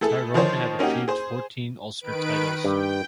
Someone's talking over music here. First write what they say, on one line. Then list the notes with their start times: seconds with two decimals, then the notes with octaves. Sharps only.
Tyrone have achieved fourteen Ulster titles.
0.01 A3 E4 G#4 A4
0.34 D#3 F3 D#4 C5 C#5
0.79 A#3 C#4 D#4 F#4 G4
1.08 G#4 C5
2.00 D#3 B4 D7
2.65 G2 G5